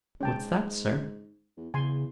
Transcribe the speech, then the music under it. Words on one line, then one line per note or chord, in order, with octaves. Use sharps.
"What's that, sir?"
G#2 C#4 G5 A5
E2
E2 C#3 G#5 C6